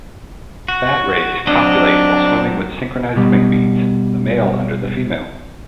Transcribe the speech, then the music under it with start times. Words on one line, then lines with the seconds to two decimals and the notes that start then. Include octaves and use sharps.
Bat rays copulate while swimming with synchronized wingbeats-the male under the female.
0.68 F#4
1.47 F#3 C4 D4 D#5
3.16 B2 G3